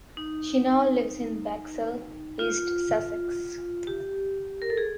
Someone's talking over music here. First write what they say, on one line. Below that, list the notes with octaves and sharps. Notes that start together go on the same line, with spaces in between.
She now lives in Bexhill, East Sussex.
D#4
F4
G4
A#4
A4
G#4